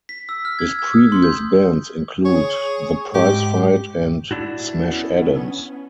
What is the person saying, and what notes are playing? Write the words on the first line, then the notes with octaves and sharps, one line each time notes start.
His previous bands include The Prize Fight and Smash Adams.
B6
E6
F6
G#6
E6
D#6
C6
G6
G#4 C#5
G#2 G4
D4 E4 F#4
B3 C#4